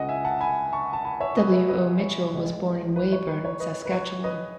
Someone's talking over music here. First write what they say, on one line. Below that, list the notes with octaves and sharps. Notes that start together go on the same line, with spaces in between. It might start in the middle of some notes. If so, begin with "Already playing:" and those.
W. O. Mitchell was born in Weyburn, Saskatchewan.
Already playing: C#2 C#3 G#3 D#5 F#5
E5 G#5
F#5 A5
G#5 B5
A5 C#6
A5
G#5 B5
C#5 E5
B4 D#5
C#5 E5
B4 D#5
C#5
A1 A2 G#3
B4
C#5
B4
C#5
B4 D#5
B4
C#5
B4 D#5